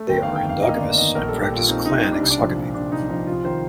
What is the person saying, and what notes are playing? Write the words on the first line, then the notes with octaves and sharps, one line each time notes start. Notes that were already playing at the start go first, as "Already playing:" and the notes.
They are endogamous, and practice clan exogamy.
Already playing: A3
G1 G5
D#3 F5
G5
F2
F5
A#3 D#5
D5
G1 D#5
D#3 D#5
A#1 A#4
G3 A4
G4
A#2 F4
C4 D#4
A#1 D#4
G3 D#4
D4
C2
D4
F3
A#2
C2 D4
C2 D#4
F3 D#4
C2 F4
D#3 C5